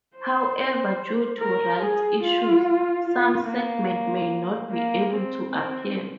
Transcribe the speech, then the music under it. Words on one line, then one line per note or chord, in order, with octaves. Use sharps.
However, due to rights issues, some segments may not be able to appear.
C5
A#4
G#4
F4
F4
A#3
A#3
C4
C4